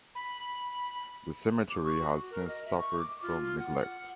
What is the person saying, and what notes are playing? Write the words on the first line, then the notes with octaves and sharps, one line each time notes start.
The cemetery has since suffered from neglect.
B5
D6
C#6
F#4
A#4
D#5
E5
C#6
D6
F4
F#5
F#5